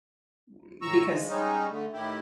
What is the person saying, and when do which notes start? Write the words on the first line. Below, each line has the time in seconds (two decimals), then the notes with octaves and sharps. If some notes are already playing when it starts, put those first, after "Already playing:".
Mm, because,
0.82 A2 A#5 C#6 E6
1.07 F3 G#3
1.29 G3 G#3 C#4 D#4
1.70 D3 A3
1.93 A2 D#3 E4 G4